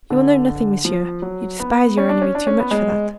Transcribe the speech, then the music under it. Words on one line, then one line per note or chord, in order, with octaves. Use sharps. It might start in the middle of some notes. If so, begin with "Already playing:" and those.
"You will know nothing, monsieur; you despise your enemy too much for that."
D3
F3
F#3
B3
C#4
D4
C#4
D4
C#4
B3
G#3